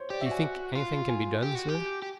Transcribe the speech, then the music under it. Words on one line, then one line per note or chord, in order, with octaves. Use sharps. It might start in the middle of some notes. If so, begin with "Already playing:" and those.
"Do you think any thing can be done, sir?"
Already playing: C5 C#5
G4 D5
E5
F#4
G#5
F4
G#5
G4
F#4
G4
G#5
G4